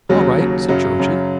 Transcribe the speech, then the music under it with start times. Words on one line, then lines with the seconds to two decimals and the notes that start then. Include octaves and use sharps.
"All right," said Georgie.
0.09 D#2 C#3 F#3
0.39 D#2 C#3
0.69 F#2 C#3 F#3
1.00 F#2 C#3